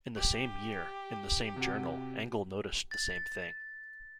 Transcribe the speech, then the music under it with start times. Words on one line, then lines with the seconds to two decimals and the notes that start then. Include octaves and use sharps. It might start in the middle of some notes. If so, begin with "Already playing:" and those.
In the same year, in the same journal, Engel noticed the same thing.
0.16 G4
1.56 C3 F#4
2.91 A6